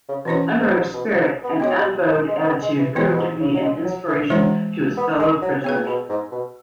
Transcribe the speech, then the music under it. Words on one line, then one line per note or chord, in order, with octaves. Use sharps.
Unrug's spirit and unbowed attitude proved to be an inspiration to his fellow prisoners.
C#3
B2 E3 C#4 E4 C#5
G#2
B2
G#2
B2
C#3
B3
G#3 B3 F#4 C#5
F#3
G#3
G#3
G#3
B3
G#3
E3
B2 E3 B3 E4 C#5
B2
G#2
C#3
F#3
G#3
F#3
E3
E3 F#3 G#3 E4 C#5
B3
G#3
F#3
C#3 B3 G#4 B4
B2
G#2
B2